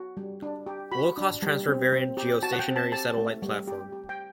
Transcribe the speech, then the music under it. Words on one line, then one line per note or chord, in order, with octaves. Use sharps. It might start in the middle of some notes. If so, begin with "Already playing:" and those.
Low cost transfer variant geostationary satellite platform.
Already playing: F#4
G3
D4
G4
F#4 B5
D4
G3
C4
C4
G4
F#4 A5
F#5
G5
C4
A5
G4 A5
A3
G3
G4
G4
G5